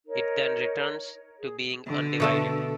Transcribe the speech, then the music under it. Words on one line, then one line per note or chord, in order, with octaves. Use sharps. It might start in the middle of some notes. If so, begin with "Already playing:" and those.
It then returns to being undivided.
D#4 A#4 C#5
G#4
D3
B2 A3 A4